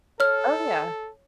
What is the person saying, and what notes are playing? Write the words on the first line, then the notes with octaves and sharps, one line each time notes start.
Oh, yeah,
A4 C#5 F6